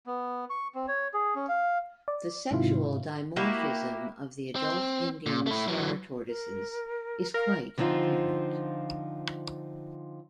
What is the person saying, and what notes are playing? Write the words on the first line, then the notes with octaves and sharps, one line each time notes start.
The sexual dimorphism of adult Indian star tortoises is quite apparent.
B3
C#6
C4
C#5
G#4
C#4
F5
D5
G#2 C3 D#3 E4 F4
A#3 E4 F#4 G4
C4
A#2
A3 E4
E3 F#3
A#4
A#4 F5
D3 F3 C4 D#4 F4